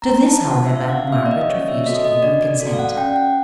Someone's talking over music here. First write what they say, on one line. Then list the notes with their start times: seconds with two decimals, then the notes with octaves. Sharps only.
To this, however, Margaret refused to give her consent.
0.02 B3 A#5
0.26 A5
0.38 D4 F4
0.51 F#5
0.66 E5
0.75 D4 F5
0.89 F#5
0.94 F5
1.07 F5
1.12 G4 E5
1.26 D5
1.31 D#5
1.49 C#4 C#5
1.68 E5
1.86 F#4 A4 D#5
2.04 D#5
2.22 D4 D5
2.41 D5
2.60 F#4 A4 D5
2.73 F5
2.79 F#5
2.90 F#5
2.96 C#4 G5
3.16 F#5